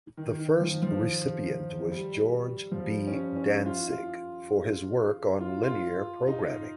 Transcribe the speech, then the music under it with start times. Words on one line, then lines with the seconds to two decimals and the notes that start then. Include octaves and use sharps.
The first recipient was George B. Dantzig for his work on linear programming.
0.17 D#3
0.39 D#3
0.61 F3
0.82 F3
1.92 G3
2.72 F3
2.79 G3
3.07 C#4
3.36 C#4
3.66 F4
3.88 F4
5.40 F4
5.63 F4
6.27 D#4